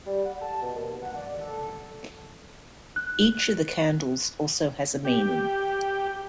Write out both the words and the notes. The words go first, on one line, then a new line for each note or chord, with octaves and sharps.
Each of the candles also has a meaning.
G3
F#5
A5
B2
D#2
F#5
D5
A4
F#6
G4